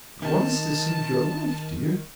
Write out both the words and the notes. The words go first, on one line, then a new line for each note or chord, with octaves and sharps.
"It was to save your life, dear."
D#3 A5